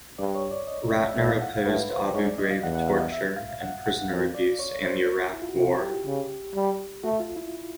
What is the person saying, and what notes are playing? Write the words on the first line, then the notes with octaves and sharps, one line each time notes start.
Ratner opposed Abu Ghraib torture and prisoner abuse and the Iraq War.
G2 D5
C#5
D5
D#5
E5
A2 E5
F5
F#5
F5
A2 B4
C5
G#2 C#5
D5
D#5
F5
E2 F#5
F#5
F5
D#5
E5
F5
F#5
F#5
F2 F5
D5
C#5
C5
E4
F4
F#4
C3 G4
G4
C#3
G3
A3 F#4
F4
E4